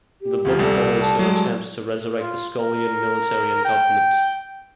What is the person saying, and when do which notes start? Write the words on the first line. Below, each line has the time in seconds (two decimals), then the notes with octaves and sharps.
The book follows her attempts to resurrect the Skolian military and government.
0.22 G4
0.45 D2 C#3 F3
0.59 C2 G3 A3 A4
1.01 A5
1.19 F#3 G#3
2.19 F4
2.59 A#4
3.65 G5